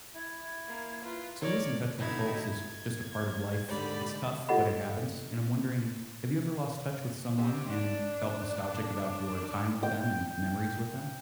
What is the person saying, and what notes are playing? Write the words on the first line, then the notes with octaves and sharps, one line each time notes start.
So losing touch with folks is just a part of life, it's tough, but it happens, and I'm wondering, have you ever lost touch with someone and felt nostalgic about your time with them and memories with them?
E4 G#6
A#3
F4 B4
A#4 C#5 D5
B2 D3 D#4 E4 G#6
G#6
D#2 G#2 D3 G4 D5 B5
F4 G4 A4 D#5 F#5 B5
C4 G4
D4
G5